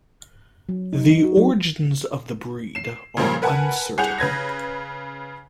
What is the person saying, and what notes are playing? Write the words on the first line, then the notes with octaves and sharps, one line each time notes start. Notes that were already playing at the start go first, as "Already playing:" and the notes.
The origins of the breed are uncertain.
F#3
D#4
D#4
F#4
F#3
C7 E7
A#2 C#3 F3 G3 A#3
A#4 B4 F#5 G#5 A5
C2 G#4 F#5 G6 F7
C#3 B4 G#6 A#6